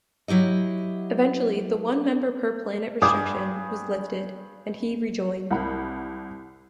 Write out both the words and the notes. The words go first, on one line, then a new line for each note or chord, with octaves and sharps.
Eventually, the "one member per planet" restriction was lifted, and he rejoined.
F#3 E4 G4 D#5
G2 G#4 D6 D#6
C2 F#5 B5